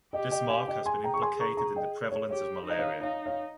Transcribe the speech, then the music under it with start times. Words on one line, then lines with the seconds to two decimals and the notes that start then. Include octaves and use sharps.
This mark has been implicated in the prevalence of malaria.
0.13 G4 D#5 G5
0.31 D#5 G5
0.49 F5 G#5
0.68 D#5 G5
0.86 G#4 G#5 C6
1.04 G5 A#5
1.14 C#6
1.22 G#5 C6
1.39 A#5 C#6
1.57 A#5 C#6
1.76 D#5 G5
2.11 C#5
2.30 G4 C#5
2.66 D#4 D#5
2.79 C#5 F5
3.02 D#4 C#5 F5
3.26 C#5 F5